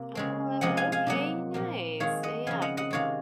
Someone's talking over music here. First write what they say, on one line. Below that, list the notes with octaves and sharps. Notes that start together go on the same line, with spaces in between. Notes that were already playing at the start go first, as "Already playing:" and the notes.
Oh, okay. Nice. Yeah, d
Already playing: C3 A#3
C#3 G#3 C4
C3 F3 G#3 C4 D#5 F#5
F5 G#5
F5 G#5
C3 F#3 A#3 D#5 F#5
A#2 F3 A#3
D#3 G#3 C4 C#5 F5
D#5 F#5
C#3 F3 C4 F5 G#5
D#5 F#5
D#5 F#5
C3 D#3 G#3 C4 C#5 F5